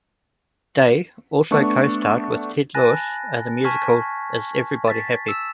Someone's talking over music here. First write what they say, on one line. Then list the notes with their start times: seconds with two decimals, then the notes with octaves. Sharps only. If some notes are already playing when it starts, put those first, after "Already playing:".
Day also co-starred with Ted Lewis in the musical Is Everybody Happy?
1.51 A3 B3 D4 C#6
2.75 G#5 A5 B5 F#6 A6 A#6
3.64 G#5 A5 C#6 F6 G#6 B6
4.88 A6 B6
5.26 E6 E7